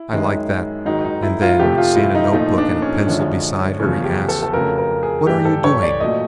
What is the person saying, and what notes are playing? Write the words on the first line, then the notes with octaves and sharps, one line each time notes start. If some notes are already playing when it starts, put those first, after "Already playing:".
"I like that." And then, seeing a note-book and pencil beside her, he asked, "What are you doing?"
Already playing: E4
F#2 D#3 G#3
G#2 D#3 F#3 D#4
D#4
E4
F4
F2 C3 F3 A3 G4
F4
E4
D#4
A#2 F3 A3 D#4
D4
C#4
F#2 D3 F3 G#3
E2 C#3 F3 A3 C#4
G4
A4
A4
F2 C#3 F#3 A3 A#4
A#4
G#4
G2 E3 A3 G4
A4
C#5
D5
A#2 F#3 A3 D#5